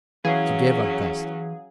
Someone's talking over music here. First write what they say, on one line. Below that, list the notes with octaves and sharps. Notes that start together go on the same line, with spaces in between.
She gave a gasp.
E3 F#3 C#4 G#4 F5